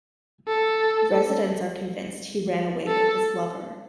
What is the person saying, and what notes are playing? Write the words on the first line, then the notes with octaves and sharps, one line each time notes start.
Residents are convinced he ran away with his lover.
A4
A4